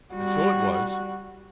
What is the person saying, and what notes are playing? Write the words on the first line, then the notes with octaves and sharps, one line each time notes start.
And so it was.
G3 F#4